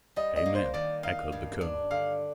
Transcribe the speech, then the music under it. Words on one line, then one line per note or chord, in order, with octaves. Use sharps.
"Amen!" echoed the colonel.
G3 D#5
D#5
A#3
C5
D#3 D5
D#4 F5
G2
D4
D3 F5